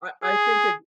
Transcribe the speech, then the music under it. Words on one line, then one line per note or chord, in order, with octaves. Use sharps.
I I think it
G#4